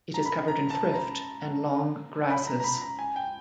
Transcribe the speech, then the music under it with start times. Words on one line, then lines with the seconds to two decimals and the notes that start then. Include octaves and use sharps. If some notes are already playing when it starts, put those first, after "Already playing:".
It is covered in thrift and long grasses.
0.14 A#5
0.26 B5
0.48 A#5
0.70 A5
0.94 A#5
2.30 B5
2.47 A#5
2.60 A#5
2.64 B5
2.82 A#5
2.99 G#5
3.16 G5